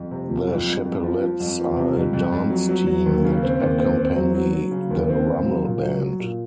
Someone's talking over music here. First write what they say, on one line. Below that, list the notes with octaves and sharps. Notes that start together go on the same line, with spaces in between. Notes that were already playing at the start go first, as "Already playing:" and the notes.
The Chapellettes are a dance team that accompany the Rummel Band.
Already playing: F2
C3
F3
F2
F2
F2
F3
F3
F2
F3
C3
F2
F2
F2
F#3
F#3
F#3
D#2
C#3
C4
D#2
C4
C4
F#3
F#3
F#3
C#3
D#2
C4
C#3
F#3
A#2
F#3
F#3
A#2